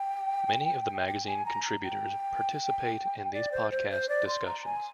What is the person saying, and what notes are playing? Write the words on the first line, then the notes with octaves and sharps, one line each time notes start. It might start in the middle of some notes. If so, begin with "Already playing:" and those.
Many of the magazine contributors participate in these podcast discussions.
Already playing: G5
G5
G#5
A#5
A#5
G5
D5
C5
C5
C5
D5
C6
A#5
G#5